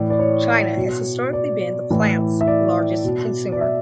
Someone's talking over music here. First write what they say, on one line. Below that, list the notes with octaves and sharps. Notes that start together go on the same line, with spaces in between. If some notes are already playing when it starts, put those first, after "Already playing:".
China has historically been the plant's largest consumer.
Already playing: A2 E3 D5
D5
C#5
B2
D5
A2 E3
E5
D5
B2
D5
E5